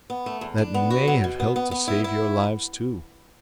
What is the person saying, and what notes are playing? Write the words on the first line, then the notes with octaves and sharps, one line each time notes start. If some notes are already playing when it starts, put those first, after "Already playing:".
That may have helped to save your lives too.
B3
A3
E2
D4
B3
F#4
F#3
B2
B3
B3
B3
E4
E4